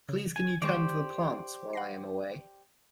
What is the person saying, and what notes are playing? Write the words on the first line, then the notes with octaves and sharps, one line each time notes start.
Please can you tend to the plants while I am away?
C#3
G#5
D#3 G#3 G4 C5 D5 C#6
F#5 A#6 C7